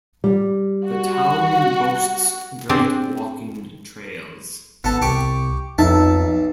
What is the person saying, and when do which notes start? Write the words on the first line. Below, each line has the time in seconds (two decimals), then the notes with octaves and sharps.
The town boasts great walking trails.
0.24 G3
0.87 F#4
2.69 C4 D4 G4 G#4 C5
4.84 G#1 B3 A4
5.02 C2 G4 C#6 D6
5.78 B1 F2 D#4 E5 A5